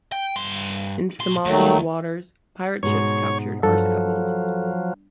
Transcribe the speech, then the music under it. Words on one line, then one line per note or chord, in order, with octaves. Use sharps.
In Somalian waters, pirate ships captured are scuttled.
G5
G2 C6
A#2 C6
D#2 D#3 F#3 A3
G#2 B2 G#4 C#5 C#6
G2 F3 F#3 A4